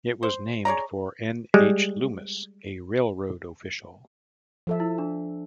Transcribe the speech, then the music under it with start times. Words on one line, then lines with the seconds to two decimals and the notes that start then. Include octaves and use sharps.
It was named for N. H. Loomis, a railroad official.
0.23 C5
0.65 G#4 C#5 D5 A#5
1.54 G3 G#3
4.67 F3 A4 E5
4.80 E4
4.98 D4